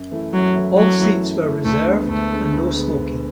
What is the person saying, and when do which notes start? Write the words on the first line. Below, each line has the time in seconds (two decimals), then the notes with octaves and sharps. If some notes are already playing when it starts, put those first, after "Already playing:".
All seats were reserved and no-smoking.
Already playing: F#2
0.11 E3 A3 E4
0.33 F#2 F#3
0.55 E3 A3 E4
0.77 F#2 F#3
1.00 E3 A3 E4
1.21 F#2
1.43 E3 A3 E4
1.65 D2 A3
1.87 D3 G#3 B3
2.09 D2 A3
2.31 D3 G#3 B3
2.53 D2
2.75 D3 G#3 B3
2.96 D2